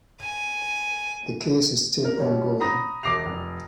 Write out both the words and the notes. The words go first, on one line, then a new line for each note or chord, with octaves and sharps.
The case is still ongoing.
G#5
A#4
B2 G3 C#4
A#5 B5 D#6 A#6
E1 D6 A#6 C7 F7
F1